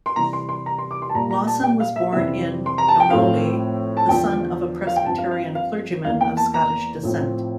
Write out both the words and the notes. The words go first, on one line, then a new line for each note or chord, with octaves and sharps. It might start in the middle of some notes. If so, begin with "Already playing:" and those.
Lawson was born in Dunolly, the son of a Presbyterian clergyman of Scottish descent.
C6
C3 E3 G3 A#5
C6
C6
A#5
C6
D6
C6
A5
A#2 G3 A#3 A#5
A#5
A5
G5
F5
E5
F2 C3 E3 G3 C4 E5
C6
A#5
A5
G5
A2 F3 A3 C4 F5
A5
E2 D3 F3 G5
F5
G5
G2 F3 C4 A5
F5
F5
F5
E2 E3 A#3 F5
G5
A5
A#5
A2 F3 C4